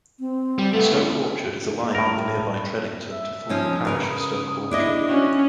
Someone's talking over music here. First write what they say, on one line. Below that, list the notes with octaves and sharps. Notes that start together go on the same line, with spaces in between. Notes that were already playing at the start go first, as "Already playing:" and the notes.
Stoke Orchard is aligned with nearby Tredington to form the Parish of Stoke Orchard.
C4
G3
A3 B3 A4
A2 A#4
E5
F3 C#4 D#4 D#6
C#3 A#4 B4
D4 E4 D#5 D6
C#4 F#4